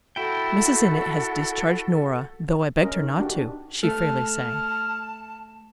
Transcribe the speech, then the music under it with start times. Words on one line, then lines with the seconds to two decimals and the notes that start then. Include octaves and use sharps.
"Mrs. Innitt has discharged Norah, though I begged her not to," she fairly sang.
0.16 E4 F#4 A4 G5
2.82 C#4 A#4 D#5
3.01 D#4
3.20 D4 F#4 G4
3.83 A3 A5 F6